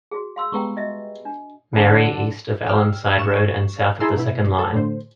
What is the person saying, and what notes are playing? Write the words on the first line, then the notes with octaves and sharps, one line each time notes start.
Marie east of Allen's Side Road and south of the Second Line.
F#4 G#4
F5 C6 E6
G3 G#3 B3 G5 A#5 C#6
F#4 D#5 E5
D4
D3 B3 E5 A5
G5 E6 F6
G2 C#6 E7
E4 G#4 A5 A#5 C6 E6
B2 E4
A4
A2 D3 C5